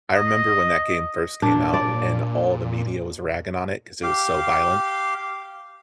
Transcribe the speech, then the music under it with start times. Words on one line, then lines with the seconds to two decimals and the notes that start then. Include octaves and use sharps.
I remember when that game first came out and all the media was ragging on it 'cause it was so violent.
0.16 D#5
1.42 A#2 D4
1.74 D5
4.03 G4 F5